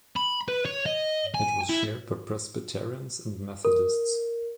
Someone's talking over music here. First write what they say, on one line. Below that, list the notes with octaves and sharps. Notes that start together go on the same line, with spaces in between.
It was shared by Presbyterians and Methodists.
B5
B4
C#5
D#5
G#5
E4
A#4